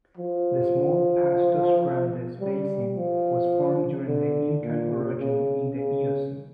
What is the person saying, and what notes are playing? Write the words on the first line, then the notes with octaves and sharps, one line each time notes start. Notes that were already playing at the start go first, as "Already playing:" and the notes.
The small Pastos Grandes Basin was formed during the Incan orogeny in the Eocene.
F3
G3
F3
D3
A#2
C#3
C#3